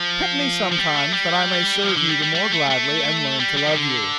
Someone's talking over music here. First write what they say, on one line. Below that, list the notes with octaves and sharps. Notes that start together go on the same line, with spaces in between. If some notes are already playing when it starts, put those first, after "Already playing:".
Pet me sometimes, that I may serve you the more gladly and learn to love you.
Already playing: F3
F3
G3
A3
G3
F3
D3
G3
G3
G3
A3
A3
G3
G3
F3
D3